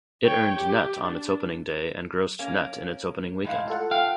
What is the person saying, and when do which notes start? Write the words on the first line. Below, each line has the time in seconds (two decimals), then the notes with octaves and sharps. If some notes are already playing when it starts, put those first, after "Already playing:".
It earned nett on its opening day, and grossed nett in its opening weekend.
0.24 C#5 G5
0.56 G4
1.01 D4
2.39 A#3 C#4
3.44 A2 G#3 F5
3.68 F4 A4 F#5
3.91 F5 G5